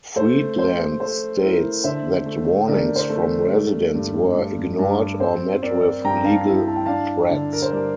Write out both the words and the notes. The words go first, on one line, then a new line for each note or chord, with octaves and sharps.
Freedland states that warnings from residents were ignored or met with legal threats.
A3 C5
A3 C5
A3 C5
E4 A#4
D3 C5 E5
A3
D3 A#4 D5
C5
A3
A#4
G3
G2
G2
G2
C4 C5
C4 A#4 D5
G2 G5 A#5
F5 A5
E4
A5
G5
D4 F5 A5
D3
A#4
C5
G3 A#4 D5